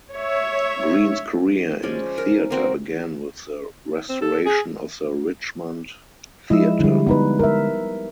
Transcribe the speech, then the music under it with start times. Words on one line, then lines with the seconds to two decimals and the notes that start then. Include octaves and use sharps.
Greene’s career in theatre began with the restoration of the Richmond Theatre.
0.13 C#5 E5
1.83 F3 G#3 C#4 D5
2.18 A#4
2.51 A#3 C4 F#4
4.09 C4
4.22 A4
4.46 G#4
6.50 F3 G#3 E4 D#5 E6
6.79 D3 G3 G#3 E4
7.07 B3 D#4 B4
7.39 A#4 E5